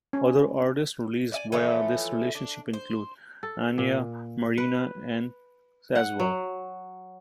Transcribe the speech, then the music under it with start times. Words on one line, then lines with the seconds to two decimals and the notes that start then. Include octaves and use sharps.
Other artists released via this relationship include Anya Marina and Cazwell.
0.13 C#4
1.32 D5 E5 G#5
1.52 E3 F3 A3 C#5
2.35 D4
2.73 C5
3.43 A4
3.78 A#2
4.58 B4
5.95 F#5
6.20 F#3